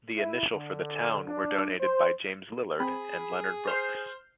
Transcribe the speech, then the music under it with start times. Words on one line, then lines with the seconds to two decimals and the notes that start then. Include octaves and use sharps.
The initial for the town were donated by James Lillard and Leonard Brooks.
0.17 E4
0.54 D3
1.27 D4
1.80 C5
2.80 C4 G#4 B5
3.67 C5 F6 G6 C7